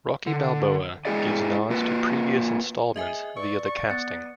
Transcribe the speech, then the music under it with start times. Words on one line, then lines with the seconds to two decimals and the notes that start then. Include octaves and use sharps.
"Rocky Balboa" gives nods to previous installments via the casting.
0.27 D3
1.05 G#3 A#3 E4 G#4 D5 D#5
1.70 A#3 F4 B4
2.96 G#4 D#5 E5 G#5
3.37 B4 D5 C#6
3.65 C#6
3.90 B3 F#6 A6 C#7